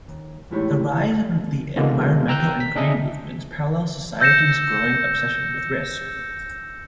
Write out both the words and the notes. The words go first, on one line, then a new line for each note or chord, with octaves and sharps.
The rise of the environmental and green movements parallels society's growing obsession with risk.
D#2
E2 A2 G#3 E4 G4 C#5
B2 D3 E3 G#3 A#3
G5 A#5 E6 F#6 G6
B6
C#4 D4 G#4 D#5 E5 G#5
E6 G6 A#6 C#7 E7